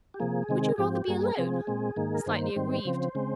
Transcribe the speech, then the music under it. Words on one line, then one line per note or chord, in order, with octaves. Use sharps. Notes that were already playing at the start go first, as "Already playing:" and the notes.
"Would you rather be alone?" slightly aggrieved.
G4
C3 F3 A#3 G#4
C3 D#3 G#3 C4
G#2 F3 C4 G4
G2 G3 A#3 G#4
C3 F3 C4
A#2 G#3 C4
G#2 D#3 A#3
A#4
G2 D#3 A#3 C5
G#2 D#3 G3 C4
C#3 F3 C4
C#3 G#3 C4